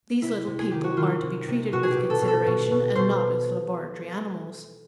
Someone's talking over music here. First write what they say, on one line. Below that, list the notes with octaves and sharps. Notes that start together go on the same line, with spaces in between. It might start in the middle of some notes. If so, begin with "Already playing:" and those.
These little people are to be treated with consideration, and not as laboratory animals.
C3 E4
C3
G#4
D#3 G4
F#4
D#3 F4
C3
C3
B2 F#4
G#4
G4
B2
A4
B2
A4
B2
B2
B2 C5